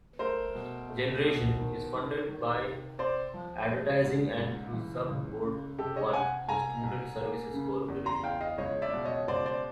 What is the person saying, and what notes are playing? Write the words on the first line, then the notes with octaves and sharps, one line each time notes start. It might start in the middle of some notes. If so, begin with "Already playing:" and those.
"Generation" is funded by advertising and through Sub-Board I, the student services corporation.
A3 A#4 C5
B2
A3
B2
D#3
D#3
D#3
C3
C4 C5 D5
F3
G#3
G#2
C#2
E3
C#2
C#3
C3 G4 A4
C#5 D#5
C3 F#5 G#5
C2 G#5 A#5
C2
A#3
C#3
E2
A#5 C6
E2 F5 G5
D#5 F5
C#2 C#5 D#5
D5 E5
B2
C#5 D#5
C#2 C5 D5
C5 D5